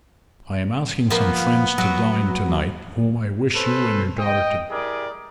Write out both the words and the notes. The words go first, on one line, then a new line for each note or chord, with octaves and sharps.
I am asking some friends to dine to-night whom I wish you and your daughter to meet.
F3 A#3 B3
F#3
C#4 A4 B4 C5
D#5 G5
E4 G4 G#4 A#4 D5